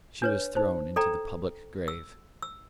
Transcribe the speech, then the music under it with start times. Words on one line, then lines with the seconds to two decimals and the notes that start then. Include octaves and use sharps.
She was thrown into the public grave.
0.22 D4 B4 C#5
0.55 D#4 C5
0.96 A4 D5 G5 A#5
1.88 E6
2.42 E6